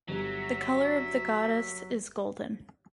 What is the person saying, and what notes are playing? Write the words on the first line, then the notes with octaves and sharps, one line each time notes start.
The color of the goddess is golden.
G1 F#3 G4 E5 A#5